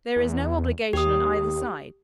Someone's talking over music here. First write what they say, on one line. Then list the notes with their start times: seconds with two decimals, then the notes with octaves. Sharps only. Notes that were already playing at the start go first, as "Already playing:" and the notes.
There is no obligation on either side.
0.16 E2
0.93 D#2 G4 D#6